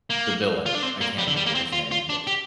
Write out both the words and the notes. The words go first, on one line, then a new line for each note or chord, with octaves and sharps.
the villain, I can't remember his name, but
A#3
F4
D4
C4
A#3
G3
D3
G3
A#3
C4
F4
F4
D4
G4